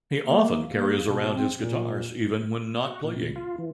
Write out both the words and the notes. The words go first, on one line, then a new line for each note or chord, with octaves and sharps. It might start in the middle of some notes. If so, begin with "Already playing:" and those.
He often carries around his guitars even when not playing.
A#3
A#3
B2
C4
A#2
F#4
A#2
A#2
F4
E3